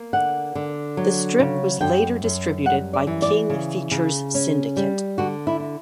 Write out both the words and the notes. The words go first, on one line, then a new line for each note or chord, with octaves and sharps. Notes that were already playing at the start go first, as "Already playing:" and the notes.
The strip was later distributed by King Features Syndicate.
Already playing: A#3
D3 F#5
D3
F#3
C#3
F#2 G5
F#2
G3 F#5
D5
E3
D5
C#3
C#3
C#4
G3
D3 F#4
E4
E4